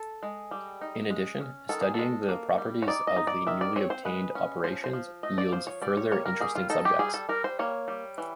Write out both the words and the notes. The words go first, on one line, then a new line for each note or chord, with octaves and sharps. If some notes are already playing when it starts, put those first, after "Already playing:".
In addition, studying the properties of the newly obtained operations yields further interesting subjects.
Already playing: A4
G#3
G3
D#4
G#3
C#4
D#3 A4
G#4
G#3 A4
A#3
G3
C#5
D#4 D5
D#5
D#4
D5
D#3 E5
D5
C4 C#5
C5
G#3 B4
C#4
F3 C5
C5
F3
A3 D#5
D5
F3 C5
C#5
G3 D5
C#5
A#3 C#5
A#4
G3 G#4
F4
D#4 A4
G4
G3 G#4
A4
G3 A#4
C5
A#3 C#5
G3
E3